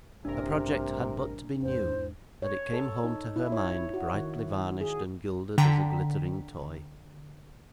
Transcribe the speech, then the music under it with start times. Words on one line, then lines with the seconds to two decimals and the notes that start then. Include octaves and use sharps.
A project had but to be new, and it came home to her mind, brightly varnished and gilded as a glittering toy.
0.25 A1 G2 C3 D4 A#4
1.62 E2 G#2 C5
2.42 C#5
2.73 A4
3.04 D#4
3.36 E4
3.52 C#5
3.94 F#4
4.14 D#3
4.81 G#4
5.58 D3 G5 A#5 B6